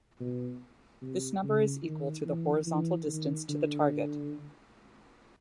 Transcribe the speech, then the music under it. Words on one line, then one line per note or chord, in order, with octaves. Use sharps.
This number is equal to the horizontal distance to the target.
B2
C3
C#3
D#3
E3
E3
D#3
D3